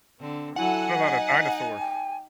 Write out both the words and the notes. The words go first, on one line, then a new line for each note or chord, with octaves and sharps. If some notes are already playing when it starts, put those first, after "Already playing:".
What about a dinosaur?
D3 C4
F#3 E4 A4 F#5 G#5
D#4 D#5
G5